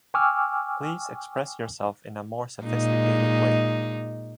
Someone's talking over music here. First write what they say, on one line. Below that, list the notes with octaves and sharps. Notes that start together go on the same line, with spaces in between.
Please express yourself in a more sophisticated way.
G5 G#5 C#6 D6 E6 F6
A#2 G#3 D#4